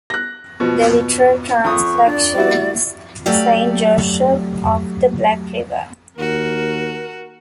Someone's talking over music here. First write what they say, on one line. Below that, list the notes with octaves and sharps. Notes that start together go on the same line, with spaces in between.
The literal translation is "Saint Joseph of the Black River".
F#6 A#6
B2 F3
F2 C#6 D#6
D4 D5
G3 E4 F#4
F#3 A3 G4 D5 F5
D#2 F#4 A#4